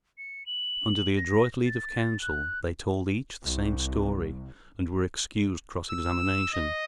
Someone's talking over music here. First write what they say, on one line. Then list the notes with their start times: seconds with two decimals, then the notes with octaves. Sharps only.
Under the adroit lead of counsel, they told each the same story, and were excused cross-examination.
0.18 C#7
0.46 F#7
1.17 A#6
1.66 A6
2.22 F#6
3.43 C2
5.89 E6
6.53 D#5